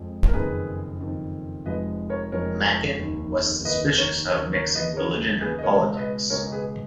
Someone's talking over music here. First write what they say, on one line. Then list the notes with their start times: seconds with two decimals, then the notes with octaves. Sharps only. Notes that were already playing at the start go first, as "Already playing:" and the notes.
Machen was suspicious of mixing religion and politics.
Already playing: F2 F3 G#3
0.28 A#4
0.33 F#1 F2 D#3 G#4 B4
1.00 F#1 F2 D#3
1.66 F1 F2 F3 G#3 B4 D#5
2.10 A#4 C#5
2.32 F1 F2 F3 G#3 A#4 C#5
2.99 F1 D#2 D#3
3.65 F1 D#2 D#3 B4 D#5
3.98 A#4 C#5
4.31 D#2 C#3 F#3 A#4 C#5
4.53 A#4 C#5
4.75 B4 D#5
4.97 D#2 C#3 F#3 A#4 C#5
5.42 G#4 B4
5.58 D#5
5.64 C#2 B2 G#3 A#4 C#5
5.97 B4 D#5
6.30 C#2 B2 G#3 A#4 C#5
6.52 G#4 B4